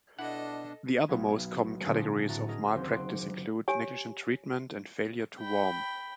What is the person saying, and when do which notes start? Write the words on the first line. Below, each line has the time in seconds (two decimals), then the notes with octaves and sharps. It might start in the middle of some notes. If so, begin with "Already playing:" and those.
The other most common categories of malpractice include negligent treatment and failure to warm.
0.19 B2 D4 E4 A4 D#5 F#5
1.08 B1 B3 G#6
1.86 A#2 D3 C4 D4 G#4
2.28 A2 F#4 A#5 A6
2.49 G#4 A#4 D#5
2.74 F#1 D#2 F#3 C4 C5
2.93 C6 D6 F#6
3.68 G4 C#5 G#5
5.40 G5 B5